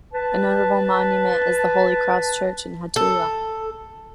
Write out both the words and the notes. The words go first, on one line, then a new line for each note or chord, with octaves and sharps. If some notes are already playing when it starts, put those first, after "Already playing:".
A notable monument is the Holy Cross Church in Hattula.
B4 A5
A4